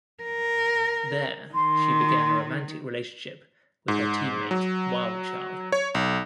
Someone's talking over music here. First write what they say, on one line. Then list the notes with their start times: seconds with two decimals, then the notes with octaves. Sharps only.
There, she began a romantic relationship with her teammate Wildchild.
0.23 A#4
1.54 D#3 C6
3.88 G#2
4.51 F#3
5.72 C#5
5.95 B1